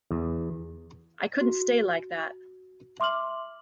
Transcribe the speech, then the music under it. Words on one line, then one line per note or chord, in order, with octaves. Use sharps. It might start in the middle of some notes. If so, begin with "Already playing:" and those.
I couldn't stay like that.
E2
F#4
E5 C6 D6 F6 F#7